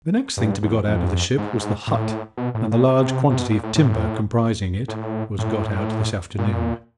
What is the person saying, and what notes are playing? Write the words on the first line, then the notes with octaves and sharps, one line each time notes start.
The next thing to be got out of the ship was the hut, and the large quantity of timber comprising it was got out this afternoon.
G2
E2
F2
G#2
A2
B2
A2
A#2
C3
C3
B2
A#2
A2
A2
A2
A2
A#2